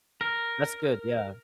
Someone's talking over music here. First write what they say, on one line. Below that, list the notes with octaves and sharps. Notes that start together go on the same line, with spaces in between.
That's good, yeah.
A#4